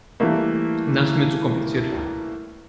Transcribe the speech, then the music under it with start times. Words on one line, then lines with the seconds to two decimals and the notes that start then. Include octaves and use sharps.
Das ist mir zu kompliziert.
0.20 E3 G3 A3 A#3